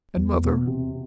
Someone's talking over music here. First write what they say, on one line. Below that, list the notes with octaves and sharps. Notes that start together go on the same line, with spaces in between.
"And mother?"
E2
B2
C3